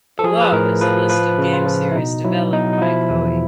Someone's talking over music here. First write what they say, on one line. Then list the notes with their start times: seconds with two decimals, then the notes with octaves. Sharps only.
Below is a list of game series developed by Koei.
0.19 A4
0.24 F3 G#4
0.41 B4
0.52 A2 A#4
0.81 F3 B4
1.10 F3 B4
1.38 C#3
1.53 F4
1.66 F3
1.92 E4
1.95 B2 D#4
2.24 F#3 E4
2.53 B2 D#4
2.73 D#4
2.81 F3 E4
3.10 E2